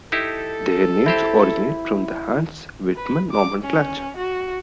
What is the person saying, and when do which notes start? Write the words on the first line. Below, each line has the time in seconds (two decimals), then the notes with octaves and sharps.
Their names originate from the Hantzsch-Widman nomenclature.
0.12 D#4 E4 G4 A4
1.06 C4 E4 G4 C5
2.96 B4
3.31 D6
3.64 C#4
4.17 F#4